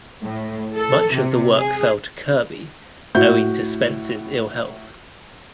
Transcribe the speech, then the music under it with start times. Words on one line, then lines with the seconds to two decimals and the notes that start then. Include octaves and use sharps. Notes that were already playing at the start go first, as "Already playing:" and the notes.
Much of the work fell to Kirby owing to Spence's ill health.
0.22 A2
0.76 A4
1.13 C3
1.55 G#4
3.15 A2 E4 F#4 G6